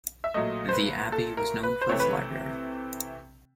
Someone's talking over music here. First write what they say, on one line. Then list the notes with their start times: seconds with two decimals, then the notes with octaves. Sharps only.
The abbey was known for its library.
0.24 E5
0.34 A#2 F#3 A3 D#5
0.69 C5
0.73 B4
1.12 A4
1.37 A#4
1.63 B4
1.81 C5
1.89 C3 E3 A3 C4 C#5
2.00 B4